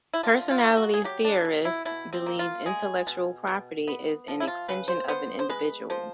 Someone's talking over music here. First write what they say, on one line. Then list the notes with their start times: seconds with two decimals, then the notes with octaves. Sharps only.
Personality theorists believe intellectual property is an extension of an individual.
0.13 E4
0.23 D3 F4
0.51 F4
0.64 A#3
0.70 G4
0.77 F#4
0.94 G#4
1.04 F#3 G4
1.25 D4
1.45 B2
1.65 E4
1.85 B2 E4
2.13 C4
2.26 A#3
2.39 F4
2.66 G#3 G#4
3.07 B2
3.47 B2
3.88 B3
4.28 F3
4.40 E4
4.47 F4
4.68 C#3 B4
4.88 C5
5.08 B3 C5
5.39 C5
5.50 G#3 B4
5.90 F3 C5